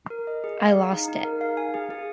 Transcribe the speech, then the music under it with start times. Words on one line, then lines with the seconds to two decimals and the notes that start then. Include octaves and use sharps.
I lost it.
0.10 A#4
0.27 D#5
0.44 G#4
0.59 F5
0.76 G#4
0.93 D#4
1.08 D#4
1.24 A#4
1.41 F5
1.57 G#5
1.74 G#4
1.90 G#4